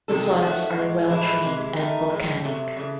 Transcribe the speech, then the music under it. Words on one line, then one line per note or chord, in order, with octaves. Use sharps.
The soils are well drained and volcanic.
C3 D#3 G#3 A4
G#4
D#3 F#3 A3 F#4
A2 G#3
A2 E3 G#3 E4
C3 E3 G#3
D#3 A3 D#4
A2 G#3
C3 F#3 A3
C#3 E3 A3